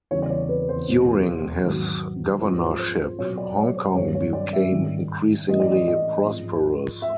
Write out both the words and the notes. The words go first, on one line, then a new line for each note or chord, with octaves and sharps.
During his governorship, Hong Kong became increasingly prosperous.
E2 C#3 E3 G3 C#5
D5
C#5
B4
C5
E2 B2 G#3
G#2 D#3 F#3
G#2 F3 G#3 C5
C5
B2 F#3 C#5
D5
C#5
C5
G2 D#3 F#3 C#5
C#5
D5
E5
G#2 D#3 G3
A2 E3 G#3 D#5
D5
D#5
D#5
G#2 F3 G#3
E5